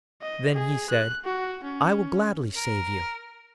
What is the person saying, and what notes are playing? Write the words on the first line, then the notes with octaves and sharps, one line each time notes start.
Then he said, 'I will gladly save you!'
D#5
G#4
F#6
F#4
C#4
A#4